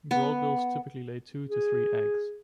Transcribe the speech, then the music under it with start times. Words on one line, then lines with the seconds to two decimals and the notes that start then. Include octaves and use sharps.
Broadbills typically lay two to three eggs.
0.11 B3
1.49 G#4